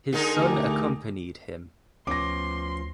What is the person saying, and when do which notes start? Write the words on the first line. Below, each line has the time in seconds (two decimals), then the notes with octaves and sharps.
His son accompanied him.
0.13 D3 G#3 D#4 G#4 A#4 A5
0.39 D2 A3 G4 A#4
2.07 D2 F3 B3 C#4 C6 D6 A#6